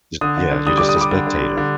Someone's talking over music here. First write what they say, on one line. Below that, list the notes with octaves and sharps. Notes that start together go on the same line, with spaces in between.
J yeah, you're just a spectator.
D3 D#6
D3
D3
G3 D#6
D6
G3
D#6
G3 D6
D3
D3
G3
D3